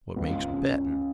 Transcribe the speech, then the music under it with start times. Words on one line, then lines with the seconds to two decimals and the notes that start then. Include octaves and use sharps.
What makes bettin'?
0.16 C#2
0.53 C#3 G#3